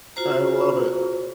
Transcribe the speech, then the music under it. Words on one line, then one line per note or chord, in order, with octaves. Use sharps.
I love it.
F4 F#4 C5 A#5